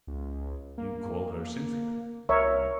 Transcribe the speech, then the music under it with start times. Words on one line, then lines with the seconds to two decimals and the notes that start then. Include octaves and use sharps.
"You call her Cynthia?"
0.07 C#2
0.78 A#3
2.29 C2 A#4 C#5 E5